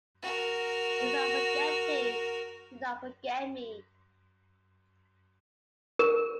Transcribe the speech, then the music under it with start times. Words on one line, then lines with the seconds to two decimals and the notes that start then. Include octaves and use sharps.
If I forget Thee, do not forget me.
0.22 F#4 A#4
5.99 A#4